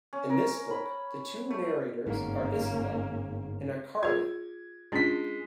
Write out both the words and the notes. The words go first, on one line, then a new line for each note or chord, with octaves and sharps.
In this book, the two narrators are Isabel and Arkarian.
C#4
A#4
B5
A3
G1 G#2 A#3 C#4
F4 G#4 G#6
G#3 C#4 D4 F4 B6